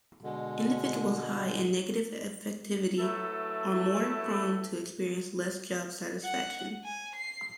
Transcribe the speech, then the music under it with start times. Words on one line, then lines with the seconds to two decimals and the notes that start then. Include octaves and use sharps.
Individuals high in negative affectivity are more prone to experience less job satisfaction.
0.24 B2 D3 G#3
2.98 F#3 A3 E4 A4 B4
6.24 F#5
6.84 G#5
7.15 C7